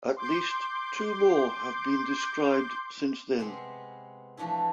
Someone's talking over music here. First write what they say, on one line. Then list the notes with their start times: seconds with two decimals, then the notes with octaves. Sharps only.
At least two more have been described since then.
0.17 C6 D6 G6
3.39 C3 G#3 B3 C4
4.37 E3 F3 A3 D4 E4